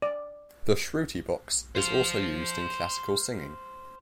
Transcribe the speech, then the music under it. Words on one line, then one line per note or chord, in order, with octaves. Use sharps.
The shruti box is also used in classical singing.
D5
C5 F5